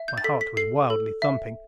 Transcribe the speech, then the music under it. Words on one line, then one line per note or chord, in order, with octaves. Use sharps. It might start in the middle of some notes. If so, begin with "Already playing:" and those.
My heart was wildly thumping.
Already playing: E5
G6
A6
A4 B6
B6
A4 C7
A4
E5